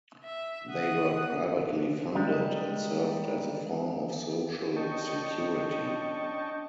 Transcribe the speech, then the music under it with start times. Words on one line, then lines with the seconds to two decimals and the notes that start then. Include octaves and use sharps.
They were privately funded, and served as a form of social security.
0.24 E5
0.70 F#5 D#6
2.15 G3 G#3 D#4
4.76 C#4 D4 D#5 G5 A5 C#6